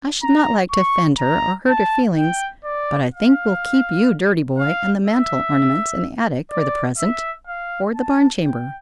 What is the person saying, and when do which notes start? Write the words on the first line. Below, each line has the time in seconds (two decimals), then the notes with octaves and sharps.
I should not like to offend her or hurt her feelings, but I think we'll keep You Dirty Boy and the mantel ornaments in the attic for the present, or the barn chamber.
0.23 A#5
0.71 C#6
1.19 A#5
1.68 A5
2.15 G5
2.64 D5
3.13 F5
4.57 F5
5.05 E5
6.51 D5
6.98 E5
7.47 F5
7.95 A5
8.43 G5